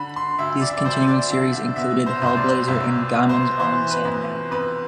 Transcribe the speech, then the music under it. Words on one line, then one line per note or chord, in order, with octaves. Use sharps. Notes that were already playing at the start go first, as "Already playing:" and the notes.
These continuing series' included "Hellblazer" and Gaiman's own "The Sandman".
Already playing: D3 B5
C6
D2 E5
D5
E5
D5
D2 C5
D5
D3 E5
E5
B2 E5
C5
C2 C5
D5
C2 E5
B2
C5
E3 C5
B4
F2
F2 B4